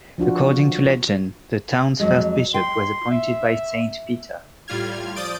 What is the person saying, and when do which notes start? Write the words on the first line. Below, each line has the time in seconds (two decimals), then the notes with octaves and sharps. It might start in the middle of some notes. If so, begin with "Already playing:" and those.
According to legend, the town's first bishop was appointed by Saint Peter.
0.18 F3 D4 F4 F#4
2.00 F2 F#3 G#3
2.54 G5 C6
3.11 E5
4.68 A2 G3 F4 F6 G#6
5.16 F3 D5 D#6 G6 A6 D7